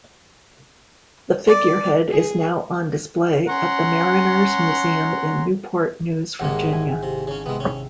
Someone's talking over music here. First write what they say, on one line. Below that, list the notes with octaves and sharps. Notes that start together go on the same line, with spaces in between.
The figurehead is now on display at The Mariners' Museum in Newport News, Virginia.
D5
G#4
C#4 F#5 A#5 C6
G#1 D#2 G#3 A#3 G#4 F#5
E4 G#5
C3
C#3 C#4
C3 G#3 B3 E6
C#4